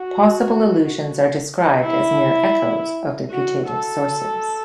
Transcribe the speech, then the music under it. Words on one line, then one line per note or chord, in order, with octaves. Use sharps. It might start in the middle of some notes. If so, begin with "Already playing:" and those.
Possible allusions are described as mere echoes of their putative sources.
Already playing: F#4
E4
F#4
A4